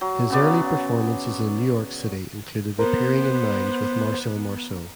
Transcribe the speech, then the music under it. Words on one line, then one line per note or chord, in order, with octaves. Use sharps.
His early performances in New York City included appearing in mimes with Marcel Marceau.
F#3
C#3 B3 D5
B3 A#4 C5